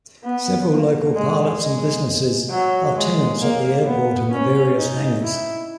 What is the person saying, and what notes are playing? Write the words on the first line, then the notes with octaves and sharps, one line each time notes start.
Several local pilots and businesses are tenants at the airport in the various hangars.
B3
A#3
G#3
G#3
F#3
G#3
A#3
B3
C#4
D#4
E4